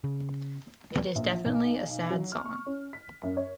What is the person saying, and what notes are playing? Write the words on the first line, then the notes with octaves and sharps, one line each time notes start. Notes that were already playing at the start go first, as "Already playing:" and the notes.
It is definitely a sad song.
C#3
B4
A#1
F3
B1
F#3
F6
C#6
C#4
B6
F#2
C#5